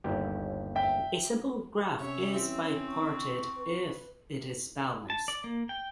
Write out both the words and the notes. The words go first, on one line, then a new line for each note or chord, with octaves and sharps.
A simple graph is bipartite iff it is balanced.
G1 D#2 G4
E5 G5
C3 C#4 C#5 E5
E3 C4
C#6
B4
A5
D5
A#3
G5